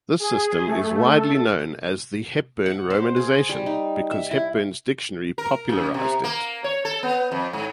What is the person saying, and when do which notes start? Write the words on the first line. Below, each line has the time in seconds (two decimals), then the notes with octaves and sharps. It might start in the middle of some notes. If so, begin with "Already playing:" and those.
This system is widely known as the Hepburn romanization because Hepburn's dictionary popularized it.
0.20 G#4
0.67 A3
1.02 A4
2.66 F#5
2.90 C5
3.16 G#4
3.49 G3
3.66 D#4
4.11 E5
4.31 E4
5.38 A#4
5.69 F#2
5.94 C3
6.24 A#3
6.64 C#5
6.85 A4
7.03 B3
7.32 F2
7.53 G#2